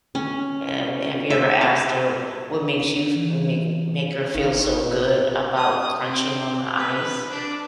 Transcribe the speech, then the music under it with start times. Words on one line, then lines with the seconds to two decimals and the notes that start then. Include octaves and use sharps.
eh, have you ever asked her what makes you f make make her feel so good about crunching on the ice?
0.15 C#4
1.30 E5
1.61 F5
3.15 E3
4.34 G#1 D#3 F5
5.56 D#6
6.01 C4
6.77 B4
7.31 D4